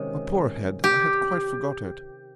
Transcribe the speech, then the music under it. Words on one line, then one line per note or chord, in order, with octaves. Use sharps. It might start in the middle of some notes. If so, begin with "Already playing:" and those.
My poor head, I had quite forgot it.
Already playing: C3 D#3 G#3 C#4
G4